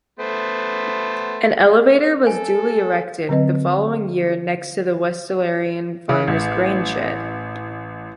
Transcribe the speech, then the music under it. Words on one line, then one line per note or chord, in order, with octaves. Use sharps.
An elevator was duly erected the following year next to the Westralian Farmers grain-shed.
A3 B3 C5
A4 G#5
D3 F#3 C4 B4 D#5
C#3
A1